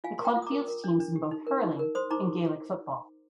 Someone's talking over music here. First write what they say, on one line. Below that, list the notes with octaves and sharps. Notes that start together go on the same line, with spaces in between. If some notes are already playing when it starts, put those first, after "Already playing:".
The club fields teams in both hurling and Gaelic football.
F4 F5 G#5
A#4 C6
G5 A#5
F4
D#6
A#5 D6
A#4
A#4
D4
D4
G4
D#4
A#4
D#4
A#4
C5 C6 D#6
D#4 A#5 D6